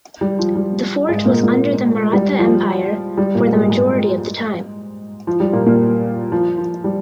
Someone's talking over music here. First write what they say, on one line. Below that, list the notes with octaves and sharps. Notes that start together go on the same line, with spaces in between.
The fort was under the Maratha empire for the majority of the time.
G3
F3
G3
G#2 G#3
A#2 A#3
A#2 A#3
G3
F3
G3
A#2 A#3
G#2 G#3
G#2 G#3
F3
G3
A#2 A#3
A#2 A#3
F3
F3
G3